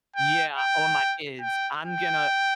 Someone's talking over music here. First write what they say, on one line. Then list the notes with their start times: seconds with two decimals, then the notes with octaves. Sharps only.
Yeah, or my kids, I'm gonna
0.16 G5
0.57 G5
1.41 G5
1.83 G5